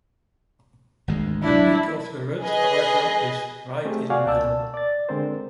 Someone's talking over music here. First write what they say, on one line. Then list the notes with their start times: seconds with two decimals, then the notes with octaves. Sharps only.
The peak of the rut, however, is right in the middle.
1.08 G#1 D2 G#3
1.43 F#3 D4 E4
2.42 G#4 B4 D#5 G#5
3.85 A3 C4 G4 G#4
4.10 F#4 D5 F5 F#5 G#5 C#6
4.25 C#2 B2 D5 A5 E6
4.74 D5 A6
5.09 D3 G#3 C4 A#4 C5